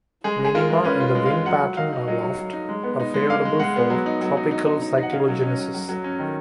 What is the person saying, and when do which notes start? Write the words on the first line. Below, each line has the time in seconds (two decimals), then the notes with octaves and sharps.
Minima in the wind pattern aloft are favorable for tropical cyclogenesis.
0.24 G#3 G#4
0.39 G#3
0.45 G#4
0.55 F4 A#4
0.70 G#3
0.85 C#4 B4
1.00 F4
1.15 G#3
1.25 F5
1.30 F4
1.46 F#3 F#5
1.62 F#3
1.77 D#4 F5
1.93 D#4
2.07 F#3 D#5
2.23 F#3
2.38 F#3
2.53 D#4
2.69 G#3
2.83 B3
3.00 D#4
3.14 G#3
3.29 G#3 F5
3.45 G#3
3.59 G#3 F#5
3.76 B3
3.90 F#3
4.06 D#4
4.22 F#3
4.37 D#4
4.51 D#4
4.66 D#4
4.82 D#4
4.98 D#4
5.03 F#5
5.12 C#4 F5
5.28 F#3
5.43 C#4 D#5
5.59 F#3
5.74 F#3
5.89 F#3
6.04 C#4
6.19 D#3